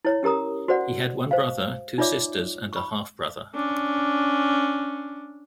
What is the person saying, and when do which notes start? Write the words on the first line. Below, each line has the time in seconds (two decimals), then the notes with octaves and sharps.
He had one brother, two sisters, and a half brother.
0.05 E4 C#5
0.23 C#4 G4 A#4 A#5 D#6
0.68 F#4 C5 D5 F#5
1.31 C5 F5
1.98 D#4 F4 C#5 D5 E5 D6
2.73 B5 C#6
3.54 C#4 D4